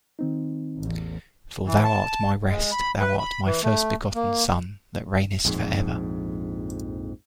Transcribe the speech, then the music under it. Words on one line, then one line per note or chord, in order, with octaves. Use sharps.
For thou art my rest; thou art my first-begotten Son that reignest for ever.
D#3 C4 D#4
A1 E2
E3
A5
G#3
B5
B4
B5
E3
A3
A#3
A#1 F2 G#2